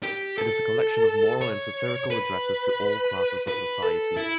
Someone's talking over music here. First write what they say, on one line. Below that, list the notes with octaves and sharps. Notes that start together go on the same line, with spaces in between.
It is a collection of moral and satirical addresses to all classes of society.
G4
A4
C#5
B4
B4
A4
E4